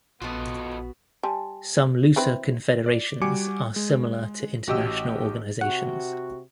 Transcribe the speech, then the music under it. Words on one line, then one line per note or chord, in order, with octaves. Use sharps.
Some looser confederations are similar to international organisations.
A#1 B2 B3 F4 F#4 A4 D#5
G3 G#5 A5 C6
E3 C4 B4
D5
G3 F#4 G#5 D6 C#7
G#3
A1 F#4 G4 D#5 E6
C3 F#4 F#5